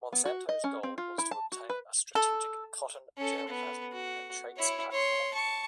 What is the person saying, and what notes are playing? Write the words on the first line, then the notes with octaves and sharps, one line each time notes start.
Monsanto's goal was to obtain a strategic cotton germplasm and traits platform.
B3
F#4
D#5
C#4
C4
F4
E4
A5
F#4
B4
A4
C#4 A4
B3
F#4
E4 C#5
C#5 C6
A5 C#6